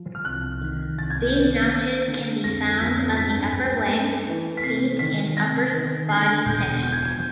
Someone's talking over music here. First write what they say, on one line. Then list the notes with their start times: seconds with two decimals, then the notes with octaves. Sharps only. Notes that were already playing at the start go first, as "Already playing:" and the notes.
These notches can be found on the upper legs, feet and upper body section.
Already playing: F3
0.15 F6
0.25 C2 F#6
0.61 D#3
0.98 C2 A6
1.10 G#6
1.22 G6
1.34 D#3 G#6
1.71 A#3 A6
2.08 D3
2.44 F2 A#6
2.81 F2 B6
3.17 G2 B6
3.53 G2
3.90 A3
4.27 E3
4.57 B6
4.64 C3 C7
4.99 D#3 B6
5.36 C3 A#6
5.73 D#3
6.09 D3 C7
6.45 E1 G6
6.82 F3 G6
6.92 G#6
7.03 G6